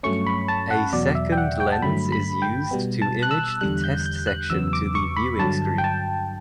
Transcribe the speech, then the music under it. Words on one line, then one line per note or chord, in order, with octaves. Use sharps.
A second lens is used to image the test section to the viewing screen.
G2 F#3 A3 C#4 C#6
B5
A5
F#5
E2 B2 F#3 D5
E5
G5
F#5
G5
A5
G2 D3 F#3 A3 B5
B5
G5
B2 G3 B3
A5
F#6
E6
E2 D3 G3 F#6
G6
G6
F#6
E2 C#3 F#3 B3 E6
D6
C#6
B5
G2 D3 F#3 A5
G5
A5